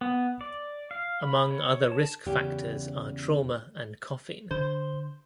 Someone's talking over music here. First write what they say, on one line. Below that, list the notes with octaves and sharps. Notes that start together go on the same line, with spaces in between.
Among other risk factors are trauma and coughing.
B3
D5
F5
B5
C#5
A5
E2 C#3 E4 G4
D3 D4 C5